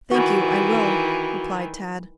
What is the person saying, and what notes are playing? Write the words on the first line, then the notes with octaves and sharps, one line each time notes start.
"Thank you, I will," replied Tad.
D#3 E3 F#4